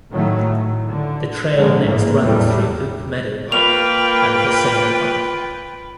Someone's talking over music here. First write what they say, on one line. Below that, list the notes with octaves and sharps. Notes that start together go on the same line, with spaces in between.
The trail next runs through Oak Meadow Park and Vasona Park.
A2 D#3 F#3 A3
A2
D3
A#1 D3 G#3 A#3
A1 G#2 E3 A#3
E2 A2 F#3 G3 A3
A#3 F4 B4 G5 F7